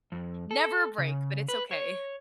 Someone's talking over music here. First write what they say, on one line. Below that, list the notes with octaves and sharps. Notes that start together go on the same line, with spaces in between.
never a break, but it's okay.
F2
A4
C#3
B4
C#5